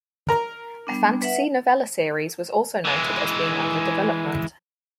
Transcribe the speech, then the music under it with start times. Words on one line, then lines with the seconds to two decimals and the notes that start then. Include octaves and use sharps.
A fantasy novella series was also noted as being under development.
0.29 A#4 A#5
0.87 G3 B3 D4
1.22 B4 E5 F#5
2.85 E3 G#3